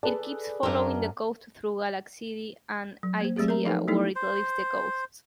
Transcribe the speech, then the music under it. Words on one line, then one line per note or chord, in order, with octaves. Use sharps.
It keeps following the coast through Galaxidi and Itea, where it leaves the coast.
G#4 A4 B4 D5
F#2 D4 A#4
F#3
A#3 C5
F#3 A3 C4 G4 G#4
A#4 E5 A#5
F3 D#4 G4 A4 B4
F#3 A3 B3 D#4 E4 A4
C5